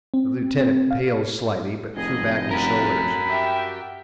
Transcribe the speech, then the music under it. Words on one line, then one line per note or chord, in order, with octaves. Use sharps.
The lieutenant paled slightly, but threw back his shoulders.
C4
C4
F5
F1 G#4 D#5
F#4 A#4 B5
G4 E5 G5